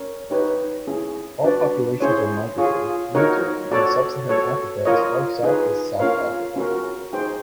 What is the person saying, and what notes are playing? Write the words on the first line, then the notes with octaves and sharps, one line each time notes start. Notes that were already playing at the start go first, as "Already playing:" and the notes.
All populations are migratory, wintering in sub-Saharan Africa as far south as South Africa.
Already playing: C#4 A#4 C#5
D#4 G4 B4 C#5
C#4 E4 G#4
D4 F#4 B4 D5
C#4 E4 G#4 C5 C#5
F4 G#4 C#5
D#4 F#4 A#4 C#5
F#4 A4 C#5 D5
F#4 A4 C#5
F4 A#4 C#5 D#5
D#4 G#4 B4
C#4 F4 A#4 C#5 F5
C#4 F#4 A#4
D#4 G#4 C5 G5